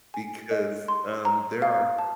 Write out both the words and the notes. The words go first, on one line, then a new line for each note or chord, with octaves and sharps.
Because, um, there are
G#5
D#5
C6
A#5
F5
A5